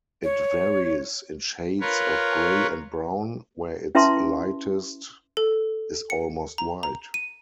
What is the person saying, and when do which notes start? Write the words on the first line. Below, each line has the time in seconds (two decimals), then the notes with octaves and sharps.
It varies in shades of grey and brown, where its lightest is almost white.
0.24 C#5
1.81 F4 A#4 B4 C#5
3.95 C#4 E4 B4 E5 A5 C6
5.37 A4
6.10 C#7
6.58 A#5
6.83 A#5
7.14 D#7